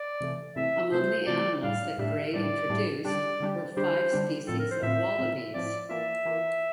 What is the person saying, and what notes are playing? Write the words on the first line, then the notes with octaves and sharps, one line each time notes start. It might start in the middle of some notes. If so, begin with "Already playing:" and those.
Among the animals that Grey introduced were five species of wallabies.
Already playing: D5
C3 E3 A3
C3 E3 A3 E5
C3 E3 A3 C5
C3 E3 A3 D5
A2 G3 D4 F5
A2 G3 D4 E5
A2 G3 D4 D5
A2 G3 D4
D3 G3 D4 G4 D5
D3 G3 D4 G4
D3 G3 D4 G4 C5
D3 G3 D4 G4
A2 F3 C4 A4
A#4
C5
A2 F3 C4 E5
A2 F3 C4
A2 F3 C4 D5
E3 A#3 F4 E5
E3 A#3 F4